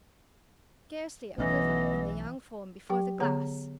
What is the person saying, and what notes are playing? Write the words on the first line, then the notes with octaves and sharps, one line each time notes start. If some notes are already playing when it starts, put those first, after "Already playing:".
Scarcely a quiver in the young form before the glass!
B1 E3 A3 B3 C#4 D#5
F#3 G4 G5
D3 B3 C#5 A#5